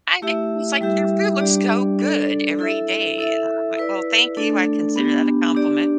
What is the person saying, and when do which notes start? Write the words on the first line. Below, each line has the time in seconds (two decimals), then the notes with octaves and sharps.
I make" He's like, "Your food looks so good every day!" and I'm like, "Well, thank you, I consider that a compliment
0.22 A3 E4 G4 E5
0.81 G3 E4 G4 E5
1.41 G3 D4 G4 D5
1.99 D4 A4 D5
2.59 E4 A4 E5
3.18 E4 A4 E5
3.77 E4 B4 D5
4.37 A3 D4 A4 D5
4.96 B3 D4 G4
5.55 D4 G4 D5